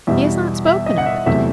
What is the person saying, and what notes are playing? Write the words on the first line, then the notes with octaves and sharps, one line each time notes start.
"He has not spoken of it."
E2 B2 G3 E5
E5
D#5
F#5
E5
E2 C3 F#3 A3 E5